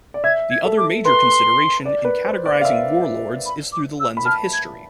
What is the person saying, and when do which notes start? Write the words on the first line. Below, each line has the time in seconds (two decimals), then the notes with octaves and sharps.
The other major consideration in categorizing warlords is through the lens of history.
0.14 D5
0.24 E5 G#6
0.51 G#6
0.65 A4
0.78 D6
1.05 B4 C6
1.86 D5
2.05 B4
2.26 C5
2.46 D5
2.61 F5
2.65 E5
3.46 B5
3.72 D6
4.00 E6
4.17 B5
4.26 A5 F6
4.53 G#6